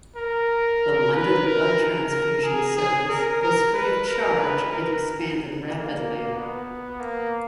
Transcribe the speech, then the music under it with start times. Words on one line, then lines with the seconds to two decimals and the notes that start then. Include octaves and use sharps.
The London Blood Transfusion Service was free of charge and expanded rapidly.
0.16 A#4
1.14 B4
1.46 A#4
2.11 A#4
2.44 G#4
2.76 G#4
3.09 A#4
3.41 A#4
3.73 B4
4.07 A#4
4.39 B4
4.71 A#4
5.69 A#3
6.35 B3
7.00 A#3